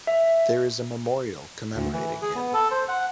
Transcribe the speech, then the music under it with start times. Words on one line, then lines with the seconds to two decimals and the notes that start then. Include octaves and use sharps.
There is a memorial commemorating him.
0.07 E5
1.75 D2
1.93 E3
2.22 G#4
2.35 B3
2.54 A4
2.71 C5
2.88 F#5